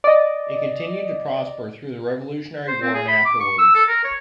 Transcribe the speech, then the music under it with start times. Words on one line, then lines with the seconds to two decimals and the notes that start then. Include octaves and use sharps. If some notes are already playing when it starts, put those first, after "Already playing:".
It continued to prosper through the Revolutionary War and afterwards.
0.04 D5 D#5
2.68 C5
2.82 C4
2.94 G#4
3.08 B5
3.25 D6
3.41 C#6
3.59 E6
3.75 A4
3.88 A#4
4.04 C#5